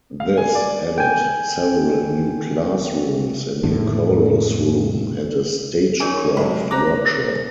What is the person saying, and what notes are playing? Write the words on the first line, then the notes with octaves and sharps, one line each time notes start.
This added several new classrooms, a new chorus room, and a stagecraft workshop.
F5
G#5
D5
G5 G#5
F2 A2 D3
F#3 C#4 D#4 G#4 A#4 C#5 G#5
B1 C3 B5
C5 A#5 D6 F#6 A#6